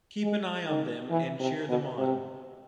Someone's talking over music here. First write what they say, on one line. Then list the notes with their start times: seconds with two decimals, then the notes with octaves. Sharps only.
Keep an eye on them and cheer them on.
0.23 G#3
0.66 D#3
1.10 E3
1.40 C3
1.69 B2
1.98 C3